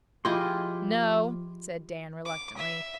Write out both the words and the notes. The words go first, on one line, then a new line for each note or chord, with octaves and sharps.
"No," said Dan reluctantly.
F3 E4 F4 G4 G#4 D#5 C6 D6
D6
E5